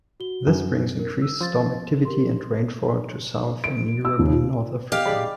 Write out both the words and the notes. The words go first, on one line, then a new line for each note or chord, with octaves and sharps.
This brings increased storm activity and rainfall to southern Europe and North Africa.
F#4 G7
F#2
A#4
E6
F3 C6 A6
G4 A#4 C6
D7
E6
D#2
F4
G4 D#5 F5
G#4 D5 B5